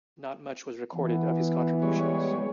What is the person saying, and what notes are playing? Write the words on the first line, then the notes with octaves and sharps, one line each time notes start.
Not much was recorded of his contributions.
E3 B3
G3 G#3 C#5